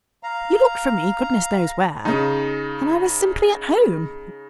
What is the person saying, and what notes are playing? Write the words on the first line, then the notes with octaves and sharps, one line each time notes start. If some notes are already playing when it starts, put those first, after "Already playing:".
You looked for me, goodness knows where, and I was simply at home.
F5 A#5
C#3 D#4